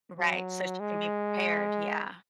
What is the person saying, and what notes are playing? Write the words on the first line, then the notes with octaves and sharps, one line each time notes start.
Right, so she can be prepared. Yeah.
F#3
G#3